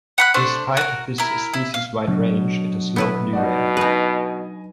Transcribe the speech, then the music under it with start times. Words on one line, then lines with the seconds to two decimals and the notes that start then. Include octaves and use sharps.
Despite this species' wide range, it is locally rare.
0.18 F#5 B5 F#6
0.34 A3 D4 C5
0.77 F#4 A#4
1.18 E4 A#4
1.53 E4
1.74 F5
2.07 B2 F#3 D4
2.96 B3 E4 B4
3.33 B2 D#4 F#4 D5
3.77 D#4 B4 D#5 G#5